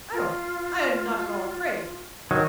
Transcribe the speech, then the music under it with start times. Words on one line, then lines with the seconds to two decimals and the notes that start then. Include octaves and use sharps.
'Oh! I'm not at all afraid.
0.13 F4
2.31 D#3 F#3